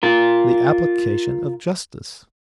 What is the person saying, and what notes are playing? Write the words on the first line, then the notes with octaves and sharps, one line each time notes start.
"The application of justice."
F4 A#4